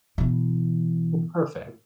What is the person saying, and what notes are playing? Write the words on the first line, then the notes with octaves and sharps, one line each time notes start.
Well, perfect.
B2 E3